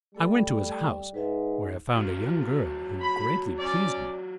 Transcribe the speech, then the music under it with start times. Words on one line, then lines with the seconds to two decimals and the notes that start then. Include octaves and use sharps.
I went to his house, where I found a young girl who greatly pleased me.
0.15 G3 A3 A4 B5
1.14 G#2 B4 E5
1.95 F#3 F4
3.01 B5
3.59 C#4 D5